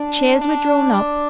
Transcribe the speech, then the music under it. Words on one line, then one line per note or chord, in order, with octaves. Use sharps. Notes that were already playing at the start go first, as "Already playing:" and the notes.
Chairs were drawn up.
Already playing: D4
D4
D4